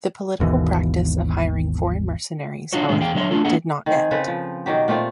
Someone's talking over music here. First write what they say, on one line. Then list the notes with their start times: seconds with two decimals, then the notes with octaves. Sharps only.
The political practice of hiring foreign mercenaries, however, did not end.
0.40 G#1 D#2 B2 E3
2.73 D4 D#4 F4 F#4 C#5
2.89 A2 D#3 G#3 B3 D4
3.00 E2 G#4 F5 G5
3.15 D3 F#3 C#5 E5 C6
3.31 A3 D4 F4 A4
3.45 A#3 D4 G#4 D#5 F#5
3.86 D#3 C4 G#4
4.11 C#3 C4 A4 B4
4.27 F3
4.66 B2 D#3 F#3 G4
4.88 A#2 A3 C4 F4